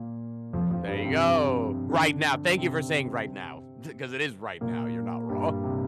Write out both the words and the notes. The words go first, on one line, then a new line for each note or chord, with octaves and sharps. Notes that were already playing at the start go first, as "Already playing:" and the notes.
There you go. Right now. Thank you for saying, "Right now." Th 'cause it is right now, you're not wrong.
Already playing: A#2 A#3
F2 F3
F2 F3
G2 G3
C3 C4
D3 D4
C3 C4
A#2 A#3
G2 G3
C3